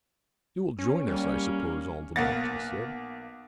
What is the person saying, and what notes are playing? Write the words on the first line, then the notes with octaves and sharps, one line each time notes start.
"You will join us, I suppose, Altamont," he said.
C#4
G3 A#3 C#4
B1 A#3 F#5 A6